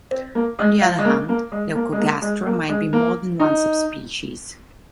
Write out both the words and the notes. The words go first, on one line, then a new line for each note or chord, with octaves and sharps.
On the other hand, "leucogastra" might be more than one subspecies.
C4
A#3
G#3
F4
G#3
A#3
A#3
G#3
A#3
G#3
A#3
G#3
A#3
G#3
A#3
D#4